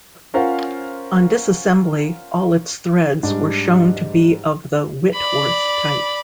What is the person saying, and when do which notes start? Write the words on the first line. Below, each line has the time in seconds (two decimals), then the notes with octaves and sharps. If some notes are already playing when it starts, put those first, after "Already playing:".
On disassembly, all its threads were shown to be of the Whitworth type.
0.34 C#4 F4 A#4 C5 F5 F#5
3.23 G#2 G3 D4
5.15 D5 B5